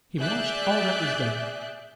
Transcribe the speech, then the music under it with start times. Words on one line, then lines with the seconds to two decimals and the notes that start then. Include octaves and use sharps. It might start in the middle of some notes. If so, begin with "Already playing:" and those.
He watched all that was done.
0.19 G#4 D5 E5 F#6 G6